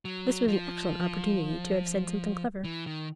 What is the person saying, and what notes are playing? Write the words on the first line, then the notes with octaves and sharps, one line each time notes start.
This was an excellent opportunity to have said something clever.
F#3
F3
E3
D#3